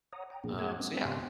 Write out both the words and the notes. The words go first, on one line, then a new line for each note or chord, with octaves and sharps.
Um, so yeah.
C#5 F#5 A#5 D#6
G5 A#5
A#2 F3 A#3 B3 D4 G#4
A3 G#4 F#5 G5 G#6
G#3 B3 C4 D4
G#2 C#3 B3 G4 C6